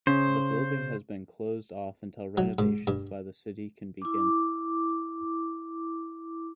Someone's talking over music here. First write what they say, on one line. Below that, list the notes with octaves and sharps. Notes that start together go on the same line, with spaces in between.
The building has been closed off until renovations by the city can begin.
C#3 C5
F#3
G#2
G2
E4 D6